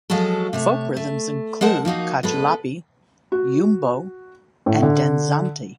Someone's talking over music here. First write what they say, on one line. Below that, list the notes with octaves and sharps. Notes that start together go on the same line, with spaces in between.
Folk rhythms include "cachullapi", "yumbo", and danzante.
F3 F#3 G#3 F#4 A4
C3 A3 C#5
A3
G#3 A#4 C5 F#5 A5
F3 A#3 D#4 F#4
B2 G#3 A4 B4
F#4
A2
D3